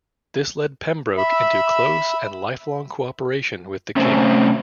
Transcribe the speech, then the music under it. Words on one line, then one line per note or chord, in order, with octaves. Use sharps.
This led Pembroke into close and lifelong cooperation with the King.
E5 B5 E6
C3 A3 C#4 C5 E5